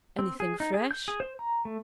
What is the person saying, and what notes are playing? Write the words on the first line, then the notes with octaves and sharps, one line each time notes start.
Anything fresh?'
C4
G#4
D#4
G#4
G6
G#4
C5
A#5
A3